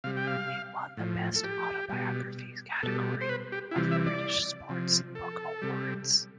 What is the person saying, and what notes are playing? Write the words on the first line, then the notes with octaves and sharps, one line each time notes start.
It won the Best Autobiography category of the British Sports Book Awards.
C3 G3 F5
G5
F5
A2 F3
A4
G4
B2 G3
B2 G3 A4
C5
B4
G4
E4
C3 E3 G3 F4
E5
D5
C3 F3
A4
C3 G3